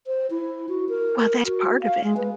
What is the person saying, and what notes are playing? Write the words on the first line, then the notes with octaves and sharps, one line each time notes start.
Well, that's part of it.
C5
E4
F#4
A#4
A#4
F#4
F5
G#3
B4